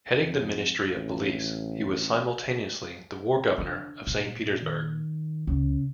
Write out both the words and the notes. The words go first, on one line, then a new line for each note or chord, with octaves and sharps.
Heading the Ministry of police, he was simultaneously the War Governor of Saint Petersburg.
F2
A1
D3
A#2
D#3
C#2 C#3